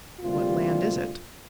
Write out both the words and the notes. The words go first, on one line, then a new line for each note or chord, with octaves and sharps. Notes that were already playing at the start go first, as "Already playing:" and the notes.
"What land is it?"
D2 C3 G3 A#3 F4